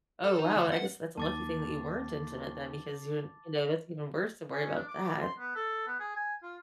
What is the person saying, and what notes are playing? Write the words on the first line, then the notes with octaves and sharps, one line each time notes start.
Oh, wow. I guess that's a lucky thing that you weren't intimate then because you're you know, that's even worse to worry about that.
A4
D#4
D2 A3
F#5
D#2 A5 D6 A6
C#4
D4
D6
C6
B3
A4
B3
G#4
G#5
F4